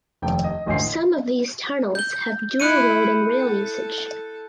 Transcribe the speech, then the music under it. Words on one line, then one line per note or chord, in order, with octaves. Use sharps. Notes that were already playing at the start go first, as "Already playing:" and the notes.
Some of these tunnels have dual road and rail usage.
F1 D#2 G5
D#5
A1 D2 D#5 G#5 G6 C7
G6 G7
E4 F#6 C#7 D#7
A4